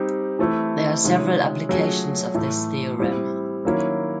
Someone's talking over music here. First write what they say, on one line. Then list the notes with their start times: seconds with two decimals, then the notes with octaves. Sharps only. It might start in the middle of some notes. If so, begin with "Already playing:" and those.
There are several applications of this theorem.
Already playing: G3 C4 D#4 G4
0.39 E3 A3 C4 E4
1.04 C3 D#3 G#3 C#4 F4
1.69 F#3 A3 C#4 F4 G#4
2.34 A2 E3 A3
3.00 G3 C4 E4
3.65 D#3 F#3 A#3 C#4 E4